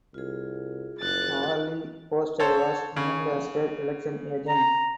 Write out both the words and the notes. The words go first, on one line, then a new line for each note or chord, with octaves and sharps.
Arlene Foster was named as her election agent.
C2 F4 G#4
F#1 F#6 A6
A4 C5 C#5
C#3
A#5